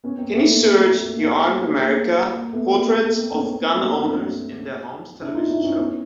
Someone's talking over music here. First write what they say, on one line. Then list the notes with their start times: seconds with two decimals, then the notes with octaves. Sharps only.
Can you search the Armed America: Portraits of Gun Owners in Their Homes television show?
0.04 B3 C#4
0.18 A#3 C4
0.32 A3 B3
0.47 A#3
0.62 A#3
0.76 A#3
0.90 A#3
1.05 A#3
1.19 A3 B3
1.38 A#3
1.57 A#3
1.76 A#3
2.33 A#3
2.53 A3 B3
2.72 A#3
2.91 A3
3.05 A#3
3.20 A#3 C4
3.34 B3 C#4
3.49 A#3 C4
3.62 A3 B3
3.77 A#3 C4
3.92 A#3 C4
4.06 C4 D4
5.21 D4 E4
5.35 D#4 F4
5.50 D4 E4
5.64 C#4 D#4
5.78 B3 C#4